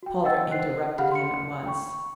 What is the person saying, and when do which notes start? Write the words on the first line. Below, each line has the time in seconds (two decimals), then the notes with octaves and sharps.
Calder interrupted him at once.
0.03 F#4 G5
0.24 D#5 F#5 G5 E6 A6
0.49 C5 G5 F#6 C7
0.98 G4 F5 F#5 B5 F6
1.12 C6 C#7
1.65 G5 B5 C#6